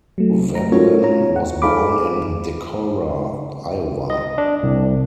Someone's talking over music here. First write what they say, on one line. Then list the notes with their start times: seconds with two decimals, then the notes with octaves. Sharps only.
Veblen was born in Decorah, Iowa.
0.18 F#3 A3
0.55 A#5
0.72 C#4 F4 F#4 A4 A#4 C#5
1.02 F4 C#5 A#5
1.36 F#5
1.62 D#4 G#4 A4 F5 B5 D6
4.10 D#5
4.38 D4
4.63 C2